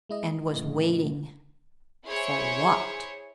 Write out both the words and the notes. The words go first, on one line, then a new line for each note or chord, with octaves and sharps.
And was waiting--for what?
G#3 E4 D#5
F2 A2 C#3
E4 G#4 C5 C#5